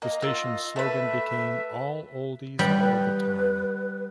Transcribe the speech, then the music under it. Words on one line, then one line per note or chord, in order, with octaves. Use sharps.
The station's slogan became "All Oldies, All The Time".
A#3 D#5
F4 E6
A3 B4 E5
G3 B4